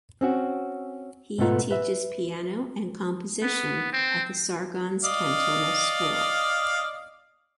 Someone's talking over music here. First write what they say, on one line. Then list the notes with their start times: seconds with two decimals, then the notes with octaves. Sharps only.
He teaches piano and composition at the Sargans Cantonal School.
0.21 C4 C#4 F#4
1.38 G#2 B2 A3 B3 F4 A#5
1.71 B4 E5
3.42 B3
3.93 C4
5.04 D5 D#5 F5